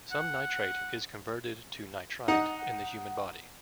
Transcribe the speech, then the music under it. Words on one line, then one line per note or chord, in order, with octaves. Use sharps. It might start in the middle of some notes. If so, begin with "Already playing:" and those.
Some nitrate is converted to nitrite in the human body.
F#5
D#4 F#5